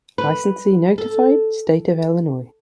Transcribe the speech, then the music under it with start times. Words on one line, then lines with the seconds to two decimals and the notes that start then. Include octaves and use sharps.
Licensee notified State of Illinois.
0.18 B4
0.98 A4